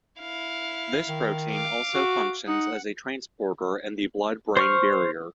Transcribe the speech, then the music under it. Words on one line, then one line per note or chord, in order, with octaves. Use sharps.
This protein also functions as a transporter in the blood-brain barrier.
E4 F5
D#3
F5 D6
F#4
D#4 F#5
C5 C#6 F6